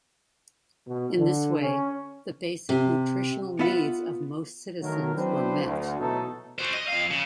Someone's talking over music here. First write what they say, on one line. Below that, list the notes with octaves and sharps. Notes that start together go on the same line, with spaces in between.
In this way, the basic nutritional needs of most citizens were met.
B2
D3
C#4
C3
B3 F4 E5 F#5
D#3 F#3 A3 A#4
F#3 C4 D4 E4 B4 C5
D2
B2 E3 F#3 A3 D#4 A4
F#4 C5
D#5
F2 F5
C#3